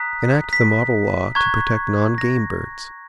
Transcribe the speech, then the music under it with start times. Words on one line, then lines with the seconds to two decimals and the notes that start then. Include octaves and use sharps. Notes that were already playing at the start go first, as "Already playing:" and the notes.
Enact the model law to protect non-game birds.
Already playing: A#5 D#6 F#6 B6
0.53 B6
1.35 A#5 C#6 F#6 G#6
2.18 A#6